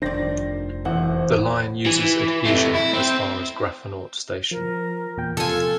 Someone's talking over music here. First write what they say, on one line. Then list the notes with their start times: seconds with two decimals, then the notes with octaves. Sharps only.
The line uses adhesion as far as Grafenort station.
0.02 F1 G2 D#3 F3 D4 C5 D5 A#6
0.85 E1 E3 C4 F#5
1.86 E3
2.45 C3 A3
2.74 E4
2.93 C4
4.51 F3 A#4
5.17 E2 A#2 G5
5.37 C3 F3 F4 A4 G#5